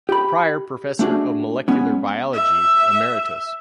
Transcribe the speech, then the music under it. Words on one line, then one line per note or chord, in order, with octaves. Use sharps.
Prior Professor of Molecular Biology, Emeritus.
G4 B5
A3 D4 F#4 G#4
G#3 B3 C#4
E5